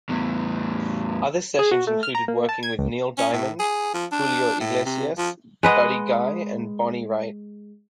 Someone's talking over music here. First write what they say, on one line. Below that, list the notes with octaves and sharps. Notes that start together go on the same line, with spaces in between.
Other sessions included working with Neil Diamond, Julio Iglesias, Buddy Guy and Bonnie Raitt.
E2 A2
G#4
F#4
A3
F6
A#5
A#3
A5
G#6
C#2
C#4
A2
G#4
F3
D4
A2
C3
F3
G#3 B4 D#5 F#5